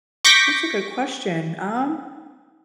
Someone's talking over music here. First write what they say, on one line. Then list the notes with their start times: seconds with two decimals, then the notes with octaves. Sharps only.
That's a good question. Um,
0.25 C#6 D6 G6 A#6 B6